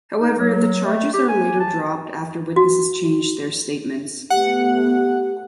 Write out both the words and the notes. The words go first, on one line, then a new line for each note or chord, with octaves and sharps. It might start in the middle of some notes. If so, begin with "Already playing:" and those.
However the charges are later dropped after witnesses changed their statements.
D#4
F#3
A3
G4
G#5
A5
F#4
A3 B3 G4 F#5